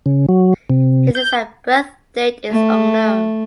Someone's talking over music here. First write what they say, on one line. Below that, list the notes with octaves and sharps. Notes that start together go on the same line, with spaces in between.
His exact birthdate is unknown.
C#3
F#3
C3
G6
A3